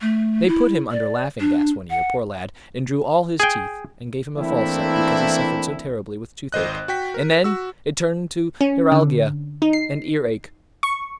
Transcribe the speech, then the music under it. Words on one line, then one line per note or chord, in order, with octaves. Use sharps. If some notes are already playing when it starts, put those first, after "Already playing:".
They put him under laughing-gas one year, poor lad, and drew all his teeth, and gave him a false set, because he suffered so terribly with toothache; and then it turned to neuralgia and ear-ache.
A3
E4
D5
D4
F#5
G#4 G5
E3 A3 A#3 C4 D4 E4
G#1 C5 D#5 F#6
F#4 G5 B6
A#4
F#4 E6
C#4
D3
D#4
C7
C#6